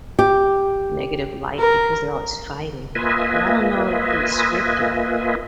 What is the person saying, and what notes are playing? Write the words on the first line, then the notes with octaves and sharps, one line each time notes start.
negative light because they're always fighting, but I don't know if it's scripted.
G4
A#4
A#3 F4 B4 D#5 E5 G#5